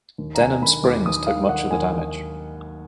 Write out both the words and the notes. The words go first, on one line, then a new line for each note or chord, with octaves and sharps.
Denham Springs took much of the damage.
D#2
A#5
D#2 G#5
D#2 B5
D#2 D6
D#2 D#6
D#3 F5
D#3 F#5
D#2 G#5